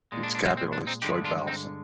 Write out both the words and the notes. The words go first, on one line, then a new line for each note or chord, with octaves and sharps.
Its capital is Choibalsan.
A#2 G#3
D4
D4
C4
C4
D4
C4 D#4
G2 D3 G#3 D#4 G4
D4 F4
C4 D#4